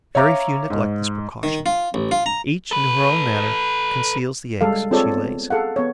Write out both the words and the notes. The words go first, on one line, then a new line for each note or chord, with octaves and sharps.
Very few neglect this precaution; each, in her own manner, conceals the eggs she lays.
C#5 E5 F5 A#5 D6
G#2
D#3
F4
A1
F4
A#5
A4 B4
G3 G#3 A4 F5
C4 F4 G#4 A4 C#5 D5
B3
G#4 A4 F5 F#5
B3 C#5